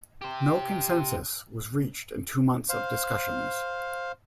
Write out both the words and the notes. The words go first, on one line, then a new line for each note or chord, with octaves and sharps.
No consensus was reached in two months of discussions.
G4 C5
C5 F5